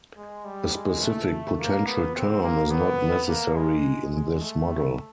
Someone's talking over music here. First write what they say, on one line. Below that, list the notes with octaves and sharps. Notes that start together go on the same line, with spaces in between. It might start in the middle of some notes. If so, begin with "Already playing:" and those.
A specific potential term is not necessary in this model.
G#3
G3
G#3
A3
A#3
B3
C4
A#3
B3
A#3
G#3
G#3
A3